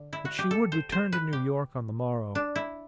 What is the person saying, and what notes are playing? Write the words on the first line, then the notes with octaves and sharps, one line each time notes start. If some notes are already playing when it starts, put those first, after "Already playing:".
But she would return to New York on the morrow.
Already playing: D3
E4
F#4
G4
A4
C5
C5
B4
G4
D4
E4